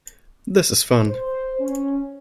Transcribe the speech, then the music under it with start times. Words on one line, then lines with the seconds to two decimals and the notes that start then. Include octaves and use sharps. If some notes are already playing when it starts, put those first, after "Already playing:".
This is fun!
1.05 C5
1.59 C#4